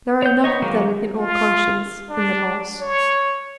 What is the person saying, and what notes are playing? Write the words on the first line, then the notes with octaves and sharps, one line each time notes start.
There are enough of them in all conscience in the laws.
C#5 G6
B3 D#4 C#5 D#5
D#3 F#3 G#3 A#3
F4
D4
C#5